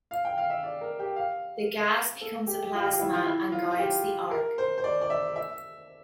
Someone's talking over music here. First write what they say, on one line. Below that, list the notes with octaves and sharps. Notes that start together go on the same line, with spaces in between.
The gas becomes a plasma and guides the arc.
F5
G5
F5
E5
D5
A#4
G4
F5
A4
G4
G4
F4
G4
F4
E4
F4
E4
F4
F4
G4
A#4
C5
C5
D5
D5
E5
E5